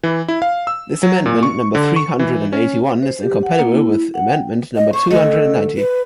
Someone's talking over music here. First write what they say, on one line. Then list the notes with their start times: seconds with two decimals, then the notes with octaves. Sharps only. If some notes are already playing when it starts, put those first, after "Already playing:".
This Amendment number three hundred and eighty-one is incompatible with Amendment number two hundred and ninety.
0.03 E3
0.28 E4
0.42 F5
0.67 E6
1.03 F#3
1.26 A#2
1.43 C#6
1.75 D3
1.96 C#6
2.19 E3
2.53 C#4
3.03 C5
3.20 G4
3.43 F#5
3.59 A#3
3.72 E4
4.14 F#5
4.28 G5
4.76 D#5
4.93 C5 C#6
5.11 D3 A3 D#5
5.76 B4